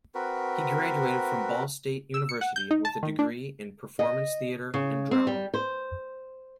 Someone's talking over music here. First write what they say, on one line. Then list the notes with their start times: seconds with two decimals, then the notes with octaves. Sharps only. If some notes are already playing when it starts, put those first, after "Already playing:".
He graduated from Ball State University with a degree in performance theater and drama.
0.15 C4 F#4 A#4 B4
2.14 E6
2.29 C#7
2.41 F#5
2.56 G6
2.71 D#4
2.85 A5
3.03 D#3
3.19 D4
3.99 D#5
4.74 C#3
5.11 C4
5.27 G3
5.54 C5